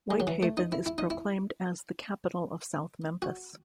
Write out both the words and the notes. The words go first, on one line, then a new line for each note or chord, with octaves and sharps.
Whitehaven is proclaimed as the capital of South Memphis.
G#3
F#3
E3
A3
D#4
E4
E4
D#4
E4
F#4